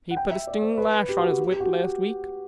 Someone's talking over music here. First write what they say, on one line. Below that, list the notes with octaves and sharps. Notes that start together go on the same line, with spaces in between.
He put a stinging lash on his whip last week.
F#5
G5
E5
D5
C5
B4
G4
F#4
G4
G4
F#4